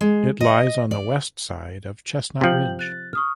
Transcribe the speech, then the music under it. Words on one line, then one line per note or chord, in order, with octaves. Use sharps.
It lies on the west side of Chestnut Ridge.
G#3
D#5
D5
C3 F3 G5 G6 F#7
F#6 A6
C#6 D#6 F6